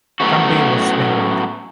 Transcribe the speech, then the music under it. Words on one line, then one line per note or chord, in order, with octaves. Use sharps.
Cumby was married.
A2 F#3 A3 B3 C#4 F#4